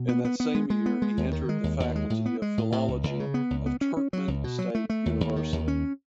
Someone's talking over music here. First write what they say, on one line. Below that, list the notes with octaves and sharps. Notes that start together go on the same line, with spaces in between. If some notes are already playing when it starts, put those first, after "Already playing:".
In that same year he entered the Faculty of Philology of Turkmen State University.
Already playing: B2
B3
B3
B3
G#3
G#3
B3
G#3
D#2
D#3
G#3
D#2
D#2
G#3
A2
B3
G#3
A2
A2
C#2
C#2
C#3
B3
C#2
B3
C#4
C#4
F#3
C#2
B2
F#3
A3
A3
D#2
D#2
D#3
D#2
C#4